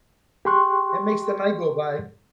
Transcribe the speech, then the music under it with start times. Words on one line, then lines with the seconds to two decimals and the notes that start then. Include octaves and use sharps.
It makes the night go by.
0.45 G4 G#4 G5 C6 C#6 F#6